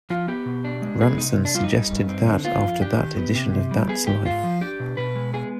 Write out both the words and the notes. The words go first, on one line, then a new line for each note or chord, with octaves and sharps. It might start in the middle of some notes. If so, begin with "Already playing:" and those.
Rantzen suggested that after that edition of That's Life!
F3 F4
B3 G4
B2
D4
G#3
B3 G#4
C3 D#4
C3
D4
G3 F4
D#4
G3
G2
C4
D3
B3 F4
F2
D4 G4
D#3
B3
C3
C3
G3
B3 G#4
G#2 G4
G#2 F4
F3
D4 G4
B2
B2 B4
G#3
B3 G#4